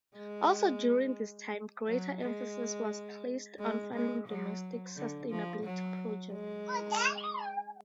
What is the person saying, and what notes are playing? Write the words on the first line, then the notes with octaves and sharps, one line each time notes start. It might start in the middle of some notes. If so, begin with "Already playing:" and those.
Also during this time, greater emphasis was placed on funding domestic sustainability projects.
G#3
F#3
G#3
G#3
G#3
F#3
D3
F3
F#3
G#3